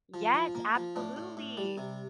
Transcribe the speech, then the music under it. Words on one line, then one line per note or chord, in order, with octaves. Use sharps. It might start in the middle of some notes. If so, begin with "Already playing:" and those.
Yes, absolutely.
F3
F3
A#3
F3
A2 D4
A2
A2
G3
C3